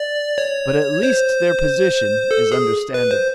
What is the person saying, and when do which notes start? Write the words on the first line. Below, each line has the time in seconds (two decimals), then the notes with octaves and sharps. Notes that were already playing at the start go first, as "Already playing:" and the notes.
But at least their position is understandable.
Already playing: D5
0.38 C#5
1.03 C5
2.31 A4
2.52 G#4
2.94 B4
3.11 C5